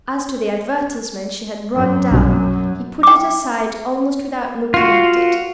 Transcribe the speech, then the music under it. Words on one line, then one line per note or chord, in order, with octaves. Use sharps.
As to the advertisement she had brought down, he put it aside almost without looking at it.
F#2
B1 G2 B2
G5 D6
F4 F#4